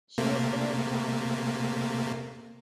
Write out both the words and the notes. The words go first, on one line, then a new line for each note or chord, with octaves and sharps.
She was very fond of them.
C3 A3 A#3